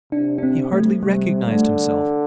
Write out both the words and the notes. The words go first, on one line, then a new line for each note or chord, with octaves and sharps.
He hardly recognized himself.
C3 D4
D4
C4
A3
C3 G3
D3 A3